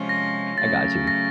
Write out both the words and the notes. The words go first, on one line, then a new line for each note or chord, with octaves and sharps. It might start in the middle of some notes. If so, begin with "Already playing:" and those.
I gotchu."
Already playing: C3 F3 G#3 C#4 F4
A#6
C#3 F#3 A3 C#4 A6
A#6